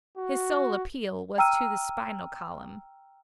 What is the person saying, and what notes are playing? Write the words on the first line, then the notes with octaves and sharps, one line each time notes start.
His sole appeal was to the spinal column.
F#4
G5 A#5 E6 F6 D#7